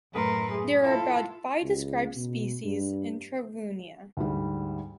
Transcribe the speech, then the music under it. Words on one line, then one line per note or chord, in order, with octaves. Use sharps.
There are about five described species in "Travunia".
F#2 A2 A3 A#4 B4 C6
A3 G#4
E4 F4 A4
C#2
B2
G2
D2 G#2 G3